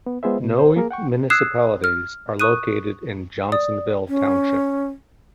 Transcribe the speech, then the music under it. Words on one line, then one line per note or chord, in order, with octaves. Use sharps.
No municipalities are located in Johnsonville Township.
B3
G#3 B3 F4 G#4 C5 E5
B2
C5
A#3 G#4 A#4
F#5 G5 C#6
D#6 E6 F#6 G#6 C7 E7
F6
C#6 D#6 F#6 D#7
D5 D#6
C#4